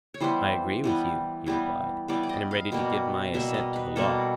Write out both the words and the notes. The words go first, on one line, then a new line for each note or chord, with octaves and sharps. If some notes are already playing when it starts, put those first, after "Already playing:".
I agree with you, he replied, and am ready to give my assent to the law.
C#5
E3 G3 B3 C5
E3 G3 B3
E3 G3 B3
E3 G3 B3 D5
D5
D#5
F5
B2 G3 A#3
B2 G3 A#3 E5
D#5
B4
B2 G3 A#3 A4